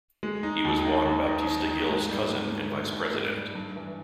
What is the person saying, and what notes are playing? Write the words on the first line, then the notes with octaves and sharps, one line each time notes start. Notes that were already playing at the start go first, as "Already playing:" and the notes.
He was Juan Bautista Gill's cousin and Vice President.
G#3
D#4
D#2
D#4
D#2
D#4
D#4
D#4
G#2
G3
G#2
G#2
G#2
G#2
G#2
G3
G2
E3